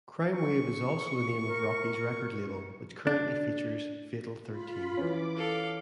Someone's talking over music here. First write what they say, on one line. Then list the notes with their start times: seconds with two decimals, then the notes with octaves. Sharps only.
CrimeWave is also the name of Rocky's record label, which currently features Fatal Thirteen.
0.36 C#6
1.47 A#4
3.07 D4
4.47 F4 B5
4.97 E3 C#4 D6
5.36 A4 F5